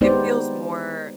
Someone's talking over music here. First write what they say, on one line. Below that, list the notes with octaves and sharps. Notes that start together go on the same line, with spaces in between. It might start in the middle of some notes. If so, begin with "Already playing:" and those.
It feels more
G#3 B3 D#4 G4 C5 D5